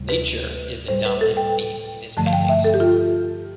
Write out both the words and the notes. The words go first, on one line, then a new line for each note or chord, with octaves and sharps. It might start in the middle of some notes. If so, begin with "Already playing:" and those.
Nature is the dominant theme in his paintings.
Already playing: D2 C3 G3
B4
A2 G3 C5
B4
A4
G5
G2 D3 F3 A3 A5
F5
G5
E5
A4
G4
F4